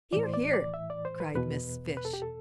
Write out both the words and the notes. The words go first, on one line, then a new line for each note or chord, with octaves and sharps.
"Hear! hear!" cried Miss Fish.
A2 E3 D5
C5
D5
D5
E5
D5
C5
B4
E2 B2 B4
B4
A4
G4
A4